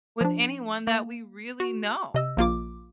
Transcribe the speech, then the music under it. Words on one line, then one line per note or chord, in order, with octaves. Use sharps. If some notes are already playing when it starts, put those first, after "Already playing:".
with anyone that we really know.
F3 D4
A#3
F#4
C3 D#5 E6
A#1 A#3 F4 D6